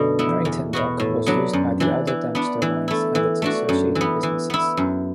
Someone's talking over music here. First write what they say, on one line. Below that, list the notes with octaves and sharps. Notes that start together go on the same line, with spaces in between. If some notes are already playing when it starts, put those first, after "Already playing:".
Harrington Dock was used by the Elder Dempster Lines and its associated businesses.
Already playing: F#2 B2 D3 A3 D4
B3 E4
E2
B2 B3 F#4
A2
F#3 B3 D4
F#2
E3 D4
E3
B3 D4
E3
A3 E4
E3
A3 D4 F#4
F#2
E3
B3
E3
B3 E4
F#2